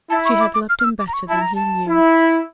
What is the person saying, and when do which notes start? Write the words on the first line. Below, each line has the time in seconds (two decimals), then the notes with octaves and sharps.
She had loved him better than he knew.
0.10 E4 A5
0.25 C#6
0.40 D6
0.54 D6
0.69 F6
0.80 F6
0.84 E6
0.99 D6
1.08 A#5
1.13 C#6
1.29 E4 A5
1.42 A#5
1.55 A5
1.87 E4